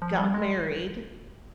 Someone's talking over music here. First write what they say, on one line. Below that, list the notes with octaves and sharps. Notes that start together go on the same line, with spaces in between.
got married,
F3
G3
G#3